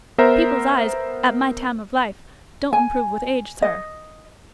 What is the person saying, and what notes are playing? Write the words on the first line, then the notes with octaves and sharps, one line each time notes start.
'People's eyes, at my time of life, don't improve with age, sir.'
B3 A#4 C5 E5 A#5
G#5
D#5